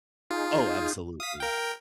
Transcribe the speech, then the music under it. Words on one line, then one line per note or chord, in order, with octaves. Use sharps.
Oh, absolutely.
D#4 F4 G#4
F5 D#6 B6
A#4 G5